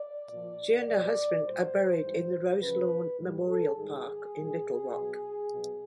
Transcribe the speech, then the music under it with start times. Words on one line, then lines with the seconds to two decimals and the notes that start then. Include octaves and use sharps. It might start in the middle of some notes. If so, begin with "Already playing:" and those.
She and her husband are buried in the Roselawn Memorial Park in Little Rock.
Already playing: D5
0.27 A#2 F3
0.85 E2 B2 F#3 D5
1.43 A#2 G3 C5
2.01 G#2 E3 G3
2.59 F#2 C#3 F3 B4
3.18 A2 E3 G3
3.47 A4
3.76 G#2 D#3 G3 G#4
4.34 A#2 G3
4.92 B2 F#3
5.50 B2 F#3